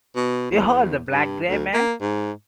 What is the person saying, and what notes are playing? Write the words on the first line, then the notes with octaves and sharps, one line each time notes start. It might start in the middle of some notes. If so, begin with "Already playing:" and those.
'Behold the black gray man!'.
B2
E2
G2
D2
A#3
G#2